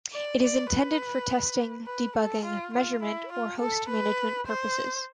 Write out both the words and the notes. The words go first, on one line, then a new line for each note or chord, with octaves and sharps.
It is intended for testing, debugging, measurement, or host management purposes.
D5
D5
B4
B4
A4
F4
F4
E4
F4
A4
B4
C5